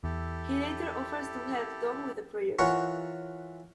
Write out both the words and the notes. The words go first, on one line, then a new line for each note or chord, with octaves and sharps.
He later offers to help Don with the prayers.
E2 E4 G4 A4
E3 F4 A#4 C#5 F#5 C#6